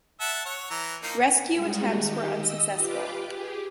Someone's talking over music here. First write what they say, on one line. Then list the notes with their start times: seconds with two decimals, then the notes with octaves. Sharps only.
Rescue attempts were unsuccessful.
0.20 E5 F#5 A5
0.45 C#5 F#5
0.70 E3 A#5
1.02 F3 A#3 D#4
1.53 G3 G#3 D#4 F#4 G#4
1.89 D#3 G4
2.26 D#5 E6
2.72 F4 G4 B4 D6
3.26 G4 G#4